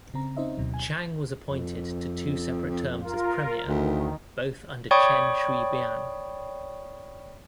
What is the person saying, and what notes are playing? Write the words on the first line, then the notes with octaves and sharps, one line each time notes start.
Chang was appointed to two separate terms as Premier, both under Chen Shui-bian.
C#3 C4 A#5
C4 C#4 D#4 C5 D#5 E5
D2 B2 F#3
G#5
F2
F4 A#4
D2 D#3
C#5 D5 G5 B5 C#6 D#6